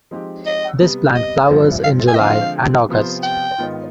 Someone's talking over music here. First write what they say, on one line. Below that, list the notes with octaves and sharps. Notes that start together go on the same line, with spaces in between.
This plant flowers in July and August.
F3 G#3 C4 D#4 G4
D#5
C3 G3 B3
D#5
G2 F3 C4 F4 C5
F5
G#5
D#5
D3 F3 G#3 C4 F5
C3 F3 B3 F4 C5
G5
G#2 D#3 B3 F4